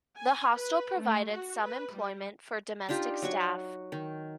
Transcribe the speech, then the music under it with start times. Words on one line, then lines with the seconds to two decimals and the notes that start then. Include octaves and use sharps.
The hostel provided some employment for domestic staff.
0.18 G#5
0.56 B4
1.00 A3
1.32 F#4
1.64 B4
1.95 G3
2.89 D4 D#4 F4 G4
3.22 F#3 F#4 C#6
3.92 D#3